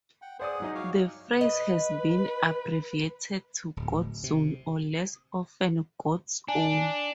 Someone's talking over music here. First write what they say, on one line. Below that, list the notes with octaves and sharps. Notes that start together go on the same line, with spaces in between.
The phrase has been abbreviated to Godzone or less often Godzown.
F#5 G5
G#4 C5 D5 F#5 D#6
G#2 F#3 D#4
C#5 F5 D6
B4 D#5
D1
C3
D4 G#5